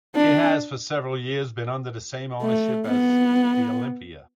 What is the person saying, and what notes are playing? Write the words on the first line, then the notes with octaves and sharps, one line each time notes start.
It has for several years been under the same ownership as the Olympia.
D4
A3
B3